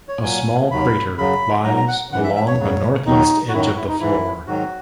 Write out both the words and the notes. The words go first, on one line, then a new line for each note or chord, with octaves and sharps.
A small crater lies along the northeast edge of the floor.
C#5
A#2 F#3 G#5
D#2 D#3 F#3 B5
F#2 C#3 F#3 B5
G#2 F#3 A#5
A#5
F#5
F#2 E3 F#5
E5
E5
C#5
E2 C#3 F#3
D#2 D#3 F#3 D#4
F#4
F#2 D#3 F#3 E4
F#4
E4
D#4
G#2 E3 E4
G#2 D#3 F#3 F#4